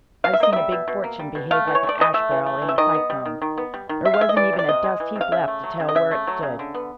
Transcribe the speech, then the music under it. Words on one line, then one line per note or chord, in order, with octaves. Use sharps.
I've seen a big fortune behave like an ash-barrel in a cyclone--there wasn't even a dust-heap left to tell where it stood!
B2 F5
E5
A#3 D#5
G3 E5
B2
B2
A#3
G3
B2
A3 F5
E3
C#5
A3
D5
E3 D#5
A3 E5
E3
A3
E3
E5
D#3 D#5
B3
G3
D#3
D#3
B3
G3
D#3
C3 E5
F5
G#3 E5
D#5
E3 D5
C3
D5
C3 D#5
G#3
E3
C3
F5
C#3 E5
A3
F#3
C#3
D#5
C#3 E5
A3
F#3
C#3
D3
B3